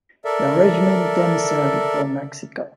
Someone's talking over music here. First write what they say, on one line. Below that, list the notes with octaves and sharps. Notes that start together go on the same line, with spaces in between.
The regiment then sailed for Mexico.
A4 A#4 D5 E5